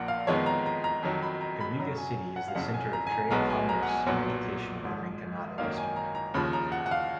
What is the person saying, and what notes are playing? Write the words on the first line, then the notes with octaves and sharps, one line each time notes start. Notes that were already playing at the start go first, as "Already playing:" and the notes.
Iriga City is the center of trade, commerce, and education of the Rinconada district.
Already playing: A#1 A#2 F3 A#3 F#5
F5
F2 D#3 G#3 B3 C#5
A#5
A#5
A#5
F2 D#3 F#3 A#5
B5
A#5
B5
F#2 C#3 F#3 A#5
G#5
F#5
F5
F#1 F2 C#3 F#5
G#5
A#5
G#5
A#5
B1 B2 G#3 B3 A#5
G#5
A#5
F#5
G#5
B1 A#2 F#3 B3 F#5
G#1 G#2 F3
G#1 F#2 D#3 A#3 C#4 F5
G#5
A#5
A#5
D#2 C#3 F3 B5
A#5
F#5
F#5
F5